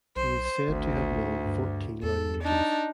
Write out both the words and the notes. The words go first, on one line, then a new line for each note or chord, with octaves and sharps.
He is said to have known fourteen languages.
B1 C5
G#1 D2
G2
E2 A4
D4 D#4